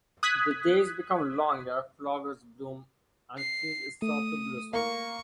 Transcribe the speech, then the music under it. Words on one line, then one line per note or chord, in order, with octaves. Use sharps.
The days become longer, flowers bloom, and trees start to blossom.
D#6 F#6 G#6 B6
C7
A3 D#6
A#3 C#6